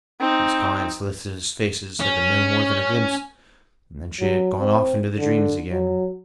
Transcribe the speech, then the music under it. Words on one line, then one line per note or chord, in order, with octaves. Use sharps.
These kind, solicitous faces had been no more than a glimpse, and then she had gone off into the dreams again.
C4 D#4
C#4
F#3
C4
D3
F#3